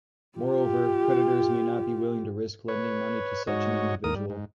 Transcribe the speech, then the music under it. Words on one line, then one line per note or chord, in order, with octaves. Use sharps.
Moreover, creditors may not be willing to risk lending money to such an individual.
F4 G4
B4 C#5
G#2 F#4 C#5 D#5
D#2 A#4 D#6
G3
G#2